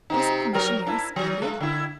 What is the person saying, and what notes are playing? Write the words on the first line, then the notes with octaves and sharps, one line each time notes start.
Wasn't the missionary splendid?
C3 C4 D#4
F#3 A#4
D4 E4
F#3
G#3
D3 E4